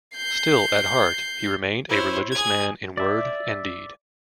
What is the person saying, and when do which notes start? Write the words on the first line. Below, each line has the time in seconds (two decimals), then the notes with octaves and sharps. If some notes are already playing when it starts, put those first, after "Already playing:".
Still, at heart, he remained a religious man in word and deed.
0.17 G6 C7
1.88 E4 C5 C#5
2.32 G#4 G#6
2.97 D5 E5